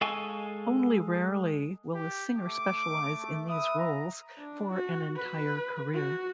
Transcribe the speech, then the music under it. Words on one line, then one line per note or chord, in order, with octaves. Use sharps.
Only rarely will a singer specialize in these roles for an entire career.
G#3 A4 F5 G#5 C#6
G4
A3 D6
B4 E5 D#6
A#5
D4
F#4
B4
F#4